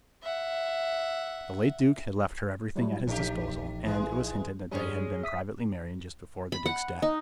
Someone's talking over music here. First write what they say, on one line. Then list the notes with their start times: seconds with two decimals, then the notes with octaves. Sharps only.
The late Duke had left her everything at his disposal, and, it was hinted that they had been privately married just before the Duke's death.
0.22 E5 F#5
2.76 F#3 G3 E4
3.07 A#1 E3 A3 D#4 G4
3.85 E3 G#3
4.71 G2 G3 G#3 C#4 G#4
5.23 E5 D#6 B6
6.52 B5
6.66 F#5
7.02 D#4